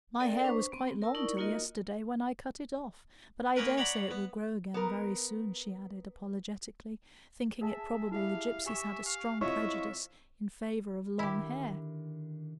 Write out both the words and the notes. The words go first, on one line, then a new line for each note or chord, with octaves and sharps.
"My hair was quite long till yesterday, when I cut it off; but I dare say it will grow again very soon," she added apologetically, thinking it probable the gypsies had a strong prejudice in favor of long hair.
C4 A4 A#4 D5 G5
D4 B4 C5 C#6
B3 C4
A#4 A5 E6
D#4 E4 A#4 D5 C#6
A#3 D#4 F4 F#4 A#4 D#5
A#3 B3 C#4 A#4 B4
C#5 D5 F#5 A#5 B5
B3
B3 A#4
G#4 E5 A5
E4 G4 E5 F5
G4 E5 G#5 C#6 E7
F5
F2 E4 F4 C#5 D#5 E5 C#6
D3 D#3 E4 G4 A#4